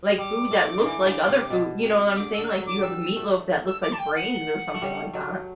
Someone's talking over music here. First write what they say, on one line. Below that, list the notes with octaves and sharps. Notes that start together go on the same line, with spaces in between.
like, food that looks like other food, you know what I'm saying? Like, you have a meatloaf that looks like brains or something like that.
G3 D6
A3
D3
E3
D3
C3
B2
C3
E6
D3 D6
D3 E6
F#6
E6
F#3
D6
F#3 G3 E6
A3
E6
D6
A5
G5
F#5
A3
G3
F#3